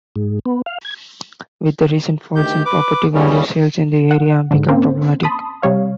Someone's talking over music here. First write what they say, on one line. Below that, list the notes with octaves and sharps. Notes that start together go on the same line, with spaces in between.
With the recent falls in property values, sales in the area have become problematic.
G#2
B3
F5
G#6
D2 D#3 G4 G6
B4 D6
D#2 C#3 E3 G3 C#4
F#5
G#2 D3
A#3 C4 C#4 C5
A5 B5 C6 D#6
C3 G3 C#5 F5